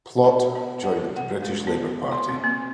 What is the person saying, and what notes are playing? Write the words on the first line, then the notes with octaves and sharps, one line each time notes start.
Plaut joined the British Labour Party.
B5
B3
F#5
A4
F#5
G#3
B3
C6
C4
A#3